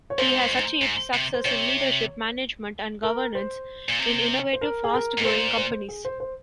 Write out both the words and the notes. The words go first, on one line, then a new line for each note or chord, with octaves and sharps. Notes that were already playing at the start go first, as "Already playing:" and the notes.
He has achieved success in leadership, management and governance in innovative fast growing companies.
C#5
A#2 C5
G#2
G2
G#2
G#2
C3
C5
C3 C#5
A#4
C5
A#2
C3
C5
A#4
G#4
A#4
G#2
A#4
A#2 C5
C5
G#4
C5
C5